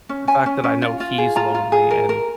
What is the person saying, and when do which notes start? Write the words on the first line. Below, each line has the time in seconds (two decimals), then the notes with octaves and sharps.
the fact that I know he's lonely and
0.09 C#4
0.27 C#4 G#5
0.46 C#4
0.64 C#4
0.82 F4
1.00 F4
1.18 G#4
1.36 F4 A#5
1.55 F4
1.72 G#4
1.91 A#4
2.09 A#4